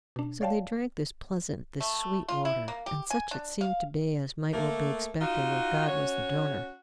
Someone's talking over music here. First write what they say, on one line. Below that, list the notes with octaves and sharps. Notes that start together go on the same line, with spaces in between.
So they drank this pleasant, this sweet water; and such it seemed to be, as might well be expected where God was the donor.
B2 D4
C#5 D5 F5 G5 A5
A3
F4
E4
A#3
G4
G#5
D4
F5
A3 A#3
D#4 F4 F#4
C#4 F#4 C#5